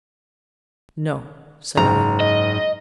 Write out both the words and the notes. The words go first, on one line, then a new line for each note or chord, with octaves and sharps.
"No," said I.
F#1 G#2 A#5
D#5